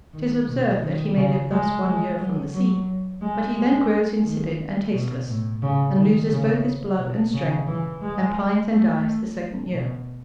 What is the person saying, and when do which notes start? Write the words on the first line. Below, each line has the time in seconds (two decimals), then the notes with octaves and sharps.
'Tis observed, that he may live thus one year from the sea; but he then grows insipid and tasteless, and loses both his blood and strength, and pines and dies the second year.
0.13 D#3
0.48 B2
0.82 D#3
1.16 C#3
1.51 G#3
1.85 G#3
2.18 F#3
2.53 F#3
3.21 G#3
3.56 G#3
4.25 D#3
4.93 B2
5.27 A2
5.62 C#3
5.95 D#3
6.30 C#3
6.99 B2
7.33 C#3
7.67 E3
8.02 G#3
8.70 A3
9.72 B2